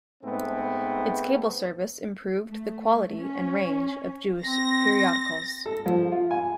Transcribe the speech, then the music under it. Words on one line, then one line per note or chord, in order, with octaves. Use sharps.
Its cable service improved the quality and range of Jewish periodicals.
G#2 A3 B3 C4
A3
C#4
C4 A#6
A4
F3
F4
G#5